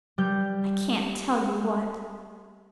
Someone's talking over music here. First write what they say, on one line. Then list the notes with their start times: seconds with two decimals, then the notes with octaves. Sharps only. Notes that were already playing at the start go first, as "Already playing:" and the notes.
I can't tell you what.
0.18 G3 G6